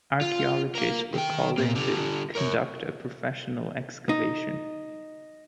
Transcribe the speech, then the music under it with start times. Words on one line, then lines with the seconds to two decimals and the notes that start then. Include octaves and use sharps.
Archeologists were called in to conduct a professional excavation.
0.21 F4
0.75 A#4 F5
1.14 D#3 G5
1.58 A#2 A#3
1.75 D3 G3
2.35 A#4 C#5
4.09 D#4